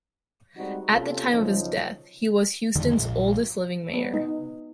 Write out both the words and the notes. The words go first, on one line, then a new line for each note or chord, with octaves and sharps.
At the time of his death, he was Houston's oldest living mayor.
G3 G#3 C4 D#4 F#4
C3 A#3 C#4 F4 A4
B1 C#3 F3 C#4 D#4
F2 D3 D#3 G#3
A#1
B3
D#4